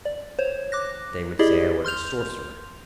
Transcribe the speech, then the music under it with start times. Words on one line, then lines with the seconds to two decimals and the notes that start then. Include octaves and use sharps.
'They would say I was a sorcerer.
0.05 D5
0.39 C5 C#5
0.72 D6 F#6 A#6
1.39 E4 G4 G#4 D5 D#5
1.85 C6 F6 G6 F7